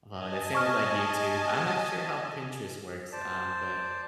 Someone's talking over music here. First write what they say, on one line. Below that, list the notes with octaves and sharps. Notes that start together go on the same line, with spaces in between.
a lot of the same with, like, YouTube. I'm not sure how Pinterest works, um, but
D#5 G#5 A5
C#6 F6
C5 D5 A5